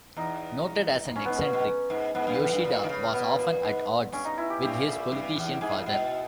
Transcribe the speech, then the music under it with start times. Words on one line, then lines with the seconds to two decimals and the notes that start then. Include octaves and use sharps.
Noted as an eccentric, Yoshida was often at odds with his politician father.
0.16 E2 D#4
1.05 G#2
1.16 G2 C#4
1.25 G#2 B3
1.35 C#4
1.40 A#2
1.53 B2
1.90 G#2
2.14 G#2 B3
2.27 G2
2.40 E2
2.52 G2
2.64 A#2
2.84 D#3
2.89 C#3
3.13 B2 B3
3.39 A#2
3.63 G#2
4.12 G2 C#4
4.25 D#4
4.38 E4
4.50 G4
4.62 G2 G4
4.87 A#2
5.12 G2
5.36 E2
5.61 G#2 G#4
5.79 A#2
5.86 B2